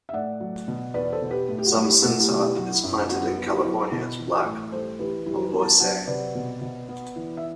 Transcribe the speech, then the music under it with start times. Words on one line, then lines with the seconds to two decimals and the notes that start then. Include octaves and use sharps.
Some Cinsaut is planted in California as Black Malvoisie.
0.09 E5
0.13 A2 D5 F#5
0.40 F#3
0.68 B2
0.94 E2 B4 D5
1.12 A4 C5
1.22 B2
1.31 G4 B4
1.49 A2
1.58 G4
1.66 F#4
1.75 G3
1.84 E4 G4
2.02 A3 F#4 A4
2.20 E4 G4
2.30 B2
2.38 E4 G4
2.56 F#3 F#4
2.74 E4
2.84 F#2
2.92 E4
3.10 B3 F#4
3.28 F#4
3.38 B3
3.46 E4 G4
3.64 F#3 E4
3.91 B2 E4
4.19 E3
4.45 A2
4.72 G3 A4 C5
4.99 E3 G4 B4
5.26 G3 E4 G4
5.37 C5
5.44 G4 B4
5.53 B3
5.62 F#5 A5
5.80 F#3 F#5 A5
6.07 C3 B4 D5
6.35 B2
6.61 B2
6.89 B3
7.16 E3
7.37 E5